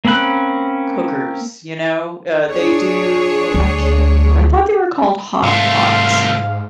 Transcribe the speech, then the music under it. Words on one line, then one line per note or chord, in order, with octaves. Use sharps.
cookers, you know? Uh, they do I can't remember. I thought they were called hot pots.
A#3 C4 C#4 B5 F#6
D4 G#4 C#5
D2
C2 G#2 A3 F5 C6